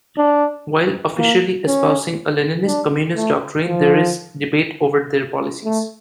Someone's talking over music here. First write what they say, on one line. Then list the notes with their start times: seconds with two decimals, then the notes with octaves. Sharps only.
While officially espousing a Leninist communist doctrine, there is debate over their policies.
0.18 D4
1.18 A#3
1.67 C#4
2.66 D4
3.16 A3
3.66 F3
5.65 A3